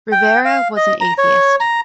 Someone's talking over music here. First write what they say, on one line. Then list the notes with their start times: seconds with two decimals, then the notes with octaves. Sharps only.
Rivera was an atheist.
0.12 G5
0.45 F5
0.77 D#5
1.01 A#5
1.18 C#5
1.60 A#5